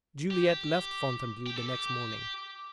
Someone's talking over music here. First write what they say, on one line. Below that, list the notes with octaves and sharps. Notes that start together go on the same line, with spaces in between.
Juliette left Fontainebleau the next morning.
G4
G4
A4
G4